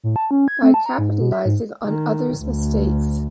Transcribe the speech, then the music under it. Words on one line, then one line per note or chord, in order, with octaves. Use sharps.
By capitalising on other's mistakes.
A2
A5
C#4
G#6
C4
A5
A#5
G#2
B2
E5
G#2
D#3
D2